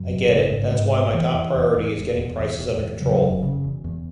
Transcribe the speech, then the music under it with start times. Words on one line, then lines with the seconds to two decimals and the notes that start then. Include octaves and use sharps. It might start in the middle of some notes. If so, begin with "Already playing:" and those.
I get it. That’s why my top priority is getting prices under control.
Already playing: F#2 F#3
0.09 G#1
0.31 C#3
0.51 G#2
0.72 G#2
0.93 G#1
1.14 E1 E3
1.34 E2
1.55 E1
1.76 E2
1.97 E1
2.17 E1
2.39 E2
2.60 E1
2.80 E2
3.00 C#3 F#3
3.21 F#1
3.42 C#3
3.64 E1
3.84 E2